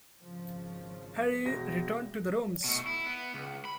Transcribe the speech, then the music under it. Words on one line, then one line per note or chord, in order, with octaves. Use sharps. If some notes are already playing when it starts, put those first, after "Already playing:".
Harry returned to the rooms.
G#1 C#3 F3
E1 A#6
B2 A3
E4
B3
C#2
B5